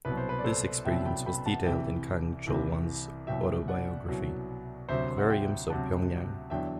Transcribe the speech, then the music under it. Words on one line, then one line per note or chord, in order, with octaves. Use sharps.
This experience was detailed in Kang Chol-Hwan's autobiography "Aquariums of Pyongyang".
C2 B2 F#3 B4
C5
B4
D5
A4 C5
C2 B2 F#3 E5 G5
G5 B5
G5 B5
F#5 A5
C2 C3 E3 E5 G5
C2 C3 E3
C2 B2 F#3 E5 G5
D5 F#5
C2 B2 F#3
D2 C3 F#3 C5 E5
F#5
E5 G5
D2 C3 F#3 F#5 A5
E2 D3 F#3 E5 G5